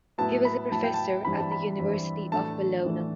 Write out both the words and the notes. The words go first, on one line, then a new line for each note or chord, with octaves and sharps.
He was a professor at the University of Bologna.
A2 F#3 B3 E4 A5
B5
A2 F#3 B3 E4 A5
G5
A5
G2 E3 G3 C4 E4 B5
A5
B5
G2 E3 G3 C4 E4
A2 E3 A3 D4 A5
A2 E3 A3 D4